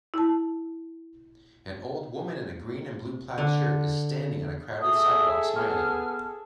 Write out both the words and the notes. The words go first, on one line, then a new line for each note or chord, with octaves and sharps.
An old woman in a green and blue plaid shirt is standing on a crowded sidewalk smiling.
E4 A5
D3
G#4 A4 E5 D#6
B3 F6